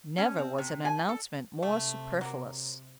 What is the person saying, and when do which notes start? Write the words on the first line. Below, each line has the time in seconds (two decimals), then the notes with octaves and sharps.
Never was an announcement more superfluous.
0.18 C#4
0.38 C4
0.58 C3
0.85 G#5
1.09 A4
1.63 C3 A3
2.21 F#3 A#3